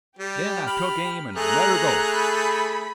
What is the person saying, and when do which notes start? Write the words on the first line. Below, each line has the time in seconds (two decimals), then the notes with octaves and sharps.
Then I took aim an' let her go.
0.19 G3 G4
0.67 B5 F6
1.36 A3 G#4 A#5 F#6
2.16 B5